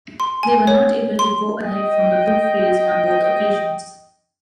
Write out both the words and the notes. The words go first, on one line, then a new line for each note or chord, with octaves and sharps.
They were not able to go ahead from the group phase on both occasions.
C6
G#5
C#5
C6
D#5 G5